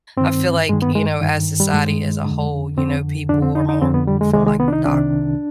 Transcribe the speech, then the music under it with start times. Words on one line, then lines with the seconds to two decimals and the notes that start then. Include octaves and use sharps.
I feel like, you know, as society as a whole, you know, people are more for like doctors
0.17 G2 D#3 C4
0.69 G2 D#3 G#3
0.82 B3
0.95 G#3
1.21 G2 D#3
1.60 G3
1.73 G2 D#3 G#3
2.26 F2 D3
2.77 F2 D3 C4
3.29 F2 D3 D4
3.42 C4
3.55 D#4
3.69 D#4
3.82 F2 D3 C4
3.94 B3
4.07 G3
4.21 G#3
4.34 C2 C3 D#3 G#3
4.47 G#3
4.60 B3
4.68 D4
4.73 D#4
4.85 C2 C3 D#3 D4